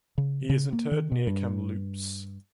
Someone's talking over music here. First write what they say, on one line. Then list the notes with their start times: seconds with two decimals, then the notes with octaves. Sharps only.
He is interred near Kamloops.
0.18 C#3
0.50 C#3
0.73 A#3
0.91 D#3
1.12 B2
1.27 G2